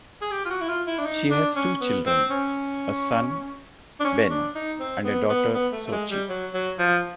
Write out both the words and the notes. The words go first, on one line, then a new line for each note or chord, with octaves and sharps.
She has two children: a son, Ben, and a daughter, Sochi.
G#4
G4
F4
F#4
E4
F4
E4
D4
D#4
D4
C#4
B3
C4
C#4
D4
C#4
D4
D#4
C4
B3
B3
B3
A3
A3
G#3
G3
F#3
F#3
F3